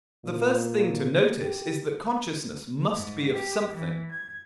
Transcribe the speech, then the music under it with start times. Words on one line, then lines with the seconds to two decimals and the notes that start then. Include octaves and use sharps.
The first thing to notice is that consciousness must be of something.
0.25 A#2
1.41 G4
2.95 G#2
3.33 G4
3.74 E3
4.12 G#6